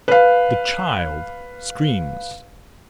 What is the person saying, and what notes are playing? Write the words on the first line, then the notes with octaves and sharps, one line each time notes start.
The child screams.
B4 F5